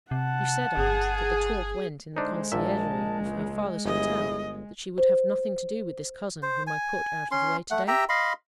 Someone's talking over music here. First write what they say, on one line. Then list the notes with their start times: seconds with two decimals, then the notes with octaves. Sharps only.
You said, aunt, that the talk went in the conciergerie of her father's hotel, that she would have nothing to do with this cousin whom I put out of the way to-day?'
0.11 C3 F#5 A5
0.77 G1 G#4
2.17 D2 G#3 D4 D#4 C5
2.52 A#1 A#2 A#4 D#5 E5 A5
3.21 C#2
3.86 G1 F#3 E4 G#4 D#5
4.98 C5
6.43 C5
6.67 G#5
7.31 C#4 C6
7.71 A3 F#5
7.88 G4 E5 G5 A#5
8.09 D#5 F5 B5 C6